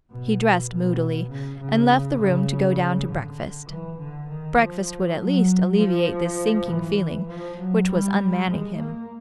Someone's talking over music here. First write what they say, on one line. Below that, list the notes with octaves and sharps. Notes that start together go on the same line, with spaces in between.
He dressed moodily, and left the room to go down to breakfast. Breakfast would at least alleviate this sinking feeling which was unmanning him.
B2
B2
C#3
C#3
C#3
D3
E3
D3
D#3
F3
F#3
F3
E3
F3
F#3
G3
G#3
A#3